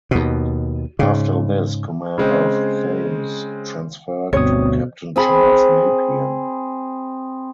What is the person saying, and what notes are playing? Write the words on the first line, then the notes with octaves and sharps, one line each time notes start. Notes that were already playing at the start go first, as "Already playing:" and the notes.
After this command of "Thames" transferred to Captain Charles Napier.
D#2 B2
G#2 C#3
C#3 G#3 C4
G1 D2 G2 B2 C4 C#5 D#6
C4 G#4 B5